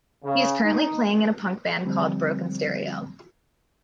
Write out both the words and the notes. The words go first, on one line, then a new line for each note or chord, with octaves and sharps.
He is currently playing in a punk band called Broken Stereo.
C#3
D#4
D3 F3 G3 C4